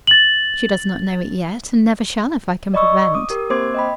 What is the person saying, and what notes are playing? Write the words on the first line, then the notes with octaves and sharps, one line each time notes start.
She does not know it yet, and never shall if I can prevent.
A6 F#7
D5 D#5 B5 C#6 E6
D6 D#6
G4 A#4
A#3 C4 C5 C6 D6 G#6
D#5 G5 B5